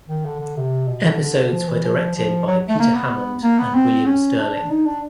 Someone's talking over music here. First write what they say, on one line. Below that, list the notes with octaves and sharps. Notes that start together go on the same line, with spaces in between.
Episodes were directed by Peter Hammond and William Sterling.
D#3
D3
D3
C3
B2
D3
D3
F3
E3
F3
F3
F#3
A3
A#3
B3
A#3
B3
C4
C#4
D4
D4
D#4
D4